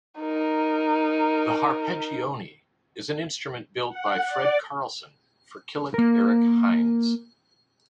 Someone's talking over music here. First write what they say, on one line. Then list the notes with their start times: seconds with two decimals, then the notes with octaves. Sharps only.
The H'arpeggione is an instrument built by Fred Carlson for Killick Erik Hinds.
0.20 D#4 A#4
3.88 F#5
4.25 D5
5.94 A#3 A#4